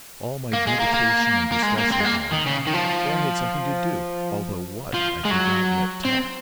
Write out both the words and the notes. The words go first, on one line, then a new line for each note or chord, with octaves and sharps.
All my dubitation and distress were gone, for I had something to do, although what I could not yet tell.
A#3
G#3
A#3
A#3
A#3
G#3
A#3
C4
G#3
A#3
D#3
C#3
D#3
F3
F3
G#3
F#3
C4